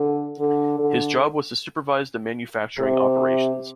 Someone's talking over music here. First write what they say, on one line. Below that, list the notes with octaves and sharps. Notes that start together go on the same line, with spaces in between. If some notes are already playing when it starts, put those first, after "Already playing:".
His job was to supervise the manufacturing operations.
Already playing: D3
D3
D3
C3